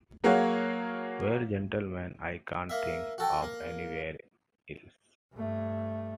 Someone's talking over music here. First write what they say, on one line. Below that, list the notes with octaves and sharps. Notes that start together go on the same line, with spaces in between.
Well, gentlemen, I can’t think of anywhere else.
F#3 A#3 F#4 G#4 C#5 F5
A#3 E5
F#4 A4 G5
A#3
G2 A3